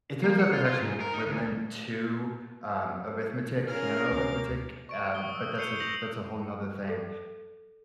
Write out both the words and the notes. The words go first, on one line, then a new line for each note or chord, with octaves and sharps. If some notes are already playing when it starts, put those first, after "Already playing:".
It turns out there's actually equivalent to, um, arithmetic, piano arithmetic, um, but that's a that's a whole ‘nother thing,
A#3
F#5
F4
F4
G#2
A#4
D#4
D2
C#4 G#4 A#4 F5 F6
D2 D6
C#6 D7
C#6 D#6 G7
E6
G6 C7 C#7 D#7 F7 G7
G6 A#6 C7 F7 F#7
A4